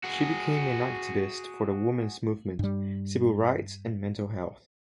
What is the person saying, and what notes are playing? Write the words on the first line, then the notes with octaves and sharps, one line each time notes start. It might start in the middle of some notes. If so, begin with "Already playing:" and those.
She became an activist for the women's movement, civil rights and mental health.
F#4 G#4
G2 G3